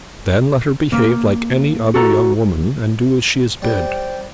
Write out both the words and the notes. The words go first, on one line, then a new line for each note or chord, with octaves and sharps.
'Then let her behave like any other young woman, and do as she is bid.
A#3
F#4 A4 A#5
G3 C5 G5